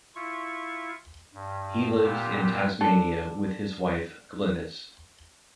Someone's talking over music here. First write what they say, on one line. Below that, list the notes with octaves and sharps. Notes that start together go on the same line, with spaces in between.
He lives in Tasmania with his wife Glynis.
E4 F4 C#6
G2
A#2 B3 F4 G4 E6 F6
D4 A4